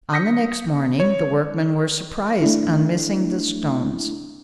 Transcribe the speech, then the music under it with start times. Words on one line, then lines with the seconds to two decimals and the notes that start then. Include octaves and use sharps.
On the next morning, the workmen were surprised on missing the stones.
0.12 D#6 G6 A#6 B6 C#7
1.00 C#5
2.42 A3 D4 E4